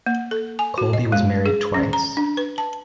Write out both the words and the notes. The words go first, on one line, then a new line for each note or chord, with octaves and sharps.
Colby was married twice.
A#3
A4
G#5
F#4
D#5
G#3
G#4
C#4
A#5
D4
B4
A5